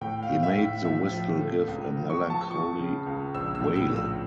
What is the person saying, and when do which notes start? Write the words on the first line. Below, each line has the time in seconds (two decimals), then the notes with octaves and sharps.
He made the whistle give a melancholy wail.
0.01 A2 G5
0.23 F5
0.29 A2
0.43 E5
0.57 A2
0.85 F3 E5
1.12 F3
1.40 A3
1.67 C#2
1.96 F3
2.10 C#6
2.23 F3
2.30 A5
2.50 F3 C#6
2.79 C#3
3.06 C#2
3.34 A#1 E6
3.55 E6
3.61 A2
3.76 E6
3.89 A#1
3.96 E6